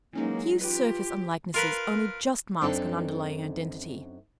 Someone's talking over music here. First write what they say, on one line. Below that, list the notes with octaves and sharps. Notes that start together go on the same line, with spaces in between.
'A few surface unlikenesses only just mask an underlying identity.
E3 F#3 G#3 A#3 C#4 D#4
F4 G4 B4
F4 A#4 B4
F#2 C4 D4 D#4 G4 A4